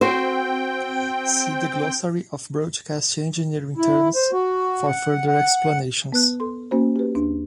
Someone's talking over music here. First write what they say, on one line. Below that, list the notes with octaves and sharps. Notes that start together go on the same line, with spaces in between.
See the glossary of broadcast engineering terms for further explanations.
C4 F#4 C5 G5
E4
C5
F#4
F#5
F#5
B3 B4 F#6
A4 C6
A#3 C#4 F#4 C5
G4 B4
D#2 D4